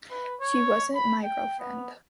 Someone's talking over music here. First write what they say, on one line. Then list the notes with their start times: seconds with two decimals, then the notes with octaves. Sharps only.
She wasn't my girlfriend.
0.10 B4
0.41 C#5
0.95 B5
1.24 G5
1.59 B3